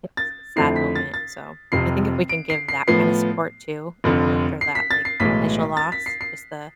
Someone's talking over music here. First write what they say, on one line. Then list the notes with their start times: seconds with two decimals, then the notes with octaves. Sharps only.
it wasn't a sad moment, so, I think if we can give that kind of support too, even after that, like, initial loss, just the
0.17 A6
0.56 F2 D3 A3 C4 E4 C7
0.76 B6
0.96 A6
1.14 A6
1.72 F1 F2 C3 C7
2.29 D7
2.50 C7
2.69 C7
2.88 A2 F3 B3 C7
4.04 F1 F2 D3
4.61 C7
4.75 B6
4.91 A6
5.05 C7
5.20 B1 A2 E3 G#3 B6
5.77 A6
5.92 B6
6.06 C7
6.21 C7